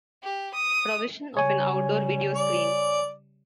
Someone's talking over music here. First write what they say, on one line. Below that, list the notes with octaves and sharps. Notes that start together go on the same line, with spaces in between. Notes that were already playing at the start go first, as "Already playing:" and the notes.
Provision of an outdoor video screen.
G4
D#6
C#3 G3 C#5 G#5
D5